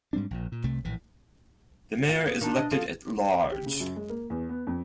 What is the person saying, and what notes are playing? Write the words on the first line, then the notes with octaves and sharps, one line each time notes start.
The mayor is elected at large.
G#2 G3 C4 D4
A#1 A#2
A#2
C2 C3 A3
A#1 A2 E3
F4
B3
D#3 D4
B2 D#5
F3 A4
G4
C#3
F#2
G#3
A#3
E2
B3
F2